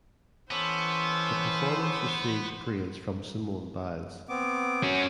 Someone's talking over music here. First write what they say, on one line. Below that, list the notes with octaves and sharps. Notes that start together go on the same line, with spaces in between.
The performance received praise from Simone Biles.
E3 B3 C#4 A4 C5 D6
B3 C4 D6
C#4 F#4